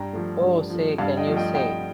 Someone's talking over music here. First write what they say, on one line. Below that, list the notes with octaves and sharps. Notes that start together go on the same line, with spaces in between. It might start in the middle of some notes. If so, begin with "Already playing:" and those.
Oh Say Can You Say?
Already playing: G2 G5 A#5
F3 A3
G2
F3 A3
G2 F5 A5
D#5 G5
F3 A3
D#5 G5
G2 D#5 G5